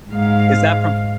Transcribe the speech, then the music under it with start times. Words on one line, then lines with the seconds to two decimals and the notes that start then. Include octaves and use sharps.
Is that from
0.10 G#2 F5